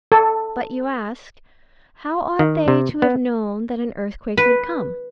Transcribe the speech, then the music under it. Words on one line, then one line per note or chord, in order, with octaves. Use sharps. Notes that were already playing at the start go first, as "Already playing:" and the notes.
But you ask, How ought they to have known that an earthquake would come?
A4
D#3
C3
B3
B4